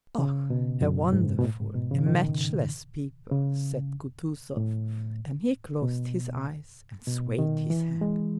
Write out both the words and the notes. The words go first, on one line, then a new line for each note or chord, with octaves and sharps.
"Ah... a wonderful, a matchless people!" said Kutuzov; and he closed his eyes and swayed his head.
C#3
B2
F#2
G#2
B2
A2
G#2
B2
C#3
D#3
C#3
A2
B2
B2
D#3
E3
G#3